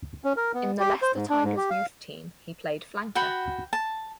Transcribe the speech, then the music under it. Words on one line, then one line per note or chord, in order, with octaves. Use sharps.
In the Leicester Tigers youth team, he played flanker.
C#4
A#4
B3
G4
C5
G#2
D4
G#2
G4
F5
F#4 F#5 G5 B5
A5